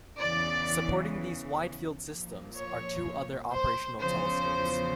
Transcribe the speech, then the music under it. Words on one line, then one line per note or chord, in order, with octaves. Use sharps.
Supporting these wide field systems are two other operational telescopes.
E2 C#3 E3 D5
A#2 F3
C#5
C5
E2 C#3 F3 C5